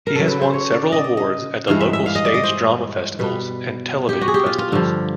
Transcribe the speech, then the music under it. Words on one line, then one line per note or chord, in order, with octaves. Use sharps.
He has won several awards at the local stage drama festivals and television festivals.
A#4
C#3 F#3 A4
B4
C5
C#5
D5
D#5
D5
D#5
D#5
G2 E3 G#3 F5
E5
E5
F5
D#5
D5
D#5
C5
B2 G3 B4
G4
F#4
G#4
G4
F4
F4
G2 D3 F3